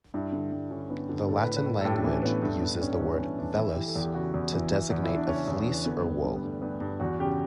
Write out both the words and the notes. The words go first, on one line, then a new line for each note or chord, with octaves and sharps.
The Latin language uses the word "vellus" to designate "a fleece" or "wool".
G2 E4
D3
G2
D3 C#4
D3 B3
D3 D4
A2 A4
B4
A2
B4
A2
A4
A2 G4
D4
E3 C#4
A2 B3
G2 A3
G2 B3
G2 C#4
C#4
E3 B3
G2 C#4
E3 D4
E3 E4
E3 G4
A4
E2 G4
C#3 F#4
E2
E3
E3
E2
E4
E2
D4
C#3 C#4
E2
E3
D3 B3
G2 G3
D3 G3
B3
G2 A3
G2 B3
G2
E2 F#4
C#3 G4